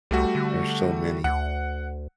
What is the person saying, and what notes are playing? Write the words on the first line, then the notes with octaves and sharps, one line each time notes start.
There's so many.
C2 G3 A3 F#4
D3
D2 F#5